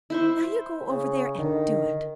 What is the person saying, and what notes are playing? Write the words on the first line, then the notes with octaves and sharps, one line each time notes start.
Now you go over there and do it!
E4 C5 C#6
C#3
D3 D#3